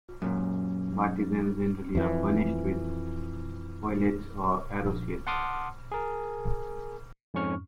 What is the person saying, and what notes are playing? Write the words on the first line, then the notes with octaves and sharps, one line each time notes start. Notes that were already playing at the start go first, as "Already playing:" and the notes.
Bartizans generally are furnished with oillets or arrow slits.
F#2 A#2
F2 E3
A#1
F#5 A5 C6 D6 D#6 F6
G#4 A#4
F2 G#2 C#4 C#6 F6